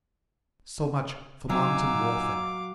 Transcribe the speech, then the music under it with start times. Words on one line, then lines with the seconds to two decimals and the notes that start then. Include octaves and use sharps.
So much for mountain warfare.
1.49 F#3 D#4 F5 G#5 D6 E6